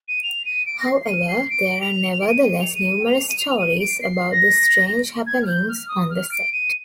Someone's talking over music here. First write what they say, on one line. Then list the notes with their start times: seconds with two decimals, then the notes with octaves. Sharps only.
However, there are nevertheless numerous stories about the strange happenings on the set.
0.08 D#7
0.23 F7
0.45 D#7
0.66 D7
0.80 A#6
0.86 C7
1.07 D#7
1.28 C7
1.50 D7
1.81 F7
2.12 F7
2.21 D7
2.28 D#7
2.44 D#7
2.60 F7
2.75 D#7
3.06 F7
3.29 D#7
3.38 F7
3.50 F7
3.58 D#7
3.80 D7
4.01 C7
4.32 A#6
5.27 G#6
5.43 F6
5.47 G6
5.69 F6
5.89 D#6
6.10 F6
6.32 D7
6.52 D#7